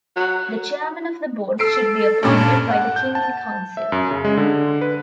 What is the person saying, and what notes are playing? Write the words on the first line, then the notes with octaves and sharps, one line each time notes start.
The Chairman of the board should be appointed by the King in Council.
F#3
A4 E6 C7 D7
G2 A#2 C#4
A5
F#5
G6
A5
E5
F#2
C#3
G#3
D3
B4